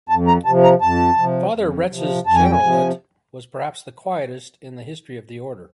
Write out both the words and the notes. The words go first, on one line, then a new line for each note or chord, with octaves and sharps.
Father Retz's generalate was perhaps the quietest in the history of the order.
F2 A5
A#5
C3 F3 A5
A#5
F2 A5
C3 F3
F2
C3 F3
F2 A5
G#5
G5
G#5
C3 F3